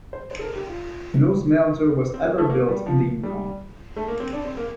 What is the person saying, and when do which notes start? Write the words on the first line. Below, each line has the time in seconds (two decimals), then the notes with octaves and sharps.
No smelter was ever built in the Yukon.
0.13 C5
0.31 C5
0.39 A4
0.42 A#4
0.56 G4
0.67 F4
2.14 C4
2.25 A#3
2.38 A3
2.50 A#3
2.69 G3
2.86 F3
3.23 G3
3.96 A3
4.08 A#3
4.20 C4
4.33 D4
4.45 C4
4.57 A#3